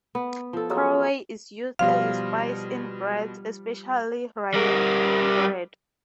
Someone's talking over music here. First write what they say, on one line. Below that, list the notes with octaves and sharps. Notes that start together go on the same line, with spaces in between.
Caraway is used as a spice in breads, especially rye bread.
B3
F3 A4
F#3 G#3 F4
B2 F3 G3 F5 C6 F6
G3 A#4